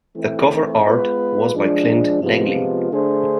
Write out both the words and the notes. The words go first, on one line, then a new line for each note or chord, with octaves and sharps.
The cover art was by Clint Langley.
E3 A3 C4 E4
G#3 B3 F4 B4
F3 G#3 D4
C3 F3 G#3 B3 F4
D3 A3 D4 G#4 C5